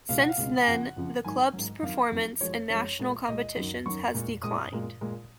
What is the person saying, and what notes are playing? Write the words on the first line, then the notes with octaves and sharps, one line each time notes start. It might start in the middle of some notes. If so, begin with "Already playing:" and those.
Since then the club's performance in national competitions has declined.
C#2 B2 G#3 F5
F#5
F5
C#2 B2 G#3
G#5
F2 C#3 F3 F#5
F2 C#3 F3
G#2 D#3 F#3 G#5
G#2 D#3 F#3
F2 D#3 F#3 F5
F2 D#3 F#3
F#2 F3 G#3 C#5
F#2 F3 G#3 C#5
A#2 G#3
A#2 G#3 D#5
F#2 D#3 F#3
F#2 D#3 F#3 C#6
A#2 G#3
A#2 G#3 D#6
A#2 G#3
A#2 G#3